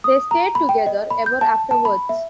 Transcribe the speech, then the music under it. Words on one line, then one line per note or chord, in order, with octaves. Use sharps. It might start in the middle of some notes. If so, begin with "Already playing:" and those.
They stayed together ever afterwards.
D#6
A#5
B5
G5
D#5
B5
G6
A5
A5
B5
E5